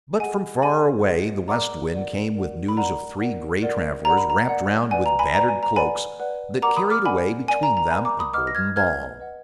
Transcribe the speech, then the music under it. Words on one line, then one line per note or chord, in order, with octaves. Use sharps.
But from far away the West Wind came with news of three grey travellers wrapt round with battered cloaks that carried away between them a golden ball.
G#4 D#5 F#5 G#5
G#4 D#5 F#5 G#5 B5
G#4 D#5 F#5
A#4 D5 F#5 A#5 D6
A#4 D5 F#5
A#4 D5 F#5
B5
A#4 D5 F#5 A#5
A#4 D5 F#5
A#4 D5 F#5
A#4 D5 F#5 A#5
B5
A#5
A#4 D5 F#5
B4 D5 F#5 G#5
A#5
G#5 B5
B4 D5 F#5 A#5
G#5
A#5
B4 D5 F#5 G#5 B5
B4 D5 F#5
A#4 D5 F#5 A#5 D6
B5 D#6
D6 F6
A#4 D5 F#5 G#5 B5
A#4 D5 F#5 G#5
A#5
A#5
A#4 D5 F#5 G#5 B5
A#5 D6
B5 D#6
B4 D#5 F#5 D6 F6
A#6
F6 G#6
B4 D#5 F#5 F6 G#6
B4 D#5 F#5